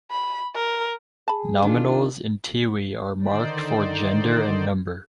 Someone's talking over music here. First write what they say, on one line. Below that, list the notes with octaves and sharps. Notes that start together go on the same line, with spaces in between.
Nominals in Tiwi are marked for gender and number.
B5
A#4
G#4 A5 B5
D#3 D4 F4
D3 D#3 D#4 C5 D5